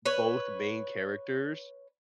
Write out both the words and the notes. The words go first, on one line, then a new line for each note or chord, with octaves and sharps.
both main characters,
B4 C#5